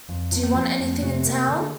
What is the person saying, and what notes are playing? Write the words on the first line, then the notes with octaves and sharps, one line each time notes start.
Do you want anything in town?
F2
F3 C4
A#3
F3 C4
F2 A3
A#3
C3 A3
A#3
D3